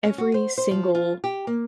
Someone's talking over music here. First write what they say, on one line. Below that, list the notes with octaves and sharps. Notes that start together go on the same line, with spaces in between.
every single
C#4
F#4
C5
C5
F3
F4
G4
A#3